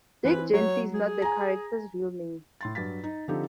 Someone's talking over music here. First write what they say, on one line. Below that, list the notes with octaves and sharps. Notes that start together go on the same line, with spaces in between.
"Dirk Gently" is not the character's real name.
E3 C4 B4
F#3 C#5
G#4
G#5 A#5
A2 C6 A6
G2 F#3 A6 B6
D#4
D3 F3 C4 D#4 G4 A4